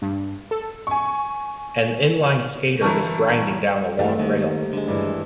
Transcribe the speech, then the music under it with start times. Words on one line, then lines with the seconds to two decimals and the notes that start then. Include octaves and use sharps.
An inline skater is grinding down a long rail.
0.02 G2
0.51 A4
0.87 G#5 C#6
2.81 G1 E3 E4 A#4 A5 C#6
3.99 G2 E3 G3 A3 C4
4.19 D#2 D#3
4.73 D3 G#3
4.87 G2 E3